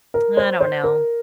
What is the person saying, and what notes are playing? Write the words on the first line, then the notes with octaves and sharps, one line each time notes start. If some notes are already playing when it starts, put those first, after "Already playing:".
I don't know.
A#4
C5
C5
A#4